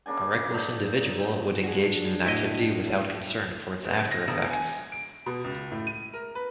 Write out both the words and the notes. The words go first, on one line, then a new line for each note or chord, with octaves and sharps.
A reckless individual would engage in an activity without concern for its after-effects.
C#3 A#3 D4 G#5
A#2 A3 D#4
D4 F#4 G#4
A2 A3 E4 D#5
G1
A#6
E1
G#5
D7
B2
C#2
A2
D#7
A#4
B4